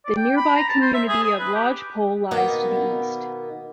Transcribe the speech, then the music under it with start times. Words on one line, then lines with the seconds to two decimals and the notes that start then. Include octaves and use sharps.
The nearby community of Lodge Pole lies to the east.
0.05 D5
0.17 G5
0.37 B5
0.56 A#5
0.69 A5
0.81 C5
0.94 E5
1.08 G#4
1.24 D#6
1.39 B4
1.55 G4
2.31 B2 D#3 A#3 B3